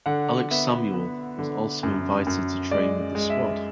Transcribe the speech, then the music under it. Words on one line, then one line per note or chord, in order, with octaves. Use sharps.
Alex Samuel was also invited to train with the squad.
D3 F#5
B3 E5
B3
D3
F#2
F#2
G#3 D5
G#3
E5